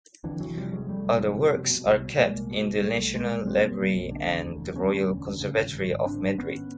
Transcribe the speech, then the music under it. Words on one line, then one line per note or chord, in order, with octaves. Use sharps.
Other works are kept in the National Library and the Royal Conservatory of Madrid.
F2 D3 E3
F1 E3 F#3
C3 F3 G3
F1 F#3 G#3
F1 G3 A3
F1
F2
C3
B2
B2
C2
B2
B2 G#3 A#3
C2
B2
C2
B1 G3 A3
B1
B2 G#3 A#3
B1
B1 A#3 C4
B1
B2
B1
D3
E1
D2
E1
D2 B3 C#4
D2
E1
D2
C#3
G#1
G#1
G#1
G#1 C4 D4
G#1
G#1 B3 C#4